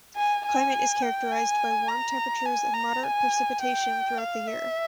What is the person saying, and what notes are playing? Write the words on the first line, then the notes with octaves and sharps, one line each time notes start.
Climate is characterized by warm temperatures and moderate precipitation throughout the year.
G#5
G#5
G5
G#5
A#5
G#5
A#5
G#5
G5
F5
E5